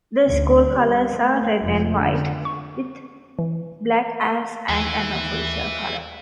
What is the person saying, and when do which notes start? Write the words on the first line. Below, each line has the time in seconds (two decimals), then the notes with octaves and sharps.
The school colors are red and white, with black as an unofficial color.
0.25 D2
0.72 G3
1.13 A3
1.63 F1
1.95 D3
2.45 C#6
3.39 E3
4.69 D#2 E3